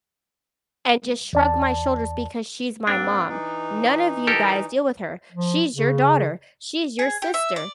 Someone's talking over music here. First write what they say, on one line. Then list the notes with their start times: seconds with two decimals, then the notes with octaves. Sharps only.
and just shrug my shoulders because she's my mom. None of you guys deal with her, she's your daughter, she's your sister,
1.33 E2 D5 A5
2.87 G#2 A#3 C4 D4
3.29 E3 D#4
4.27 G4 A4 A#4
5.32 F3
5.75 C#3
6.99 G#4
7.22 G4
7.34 E5
7.56 D5